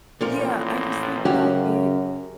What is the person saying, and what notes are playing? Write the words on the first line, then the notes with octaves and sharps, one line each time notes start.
Yeah, I just think that it
A1 A#2 F3 A#4
F#2 C#3 C#4 F#4 G4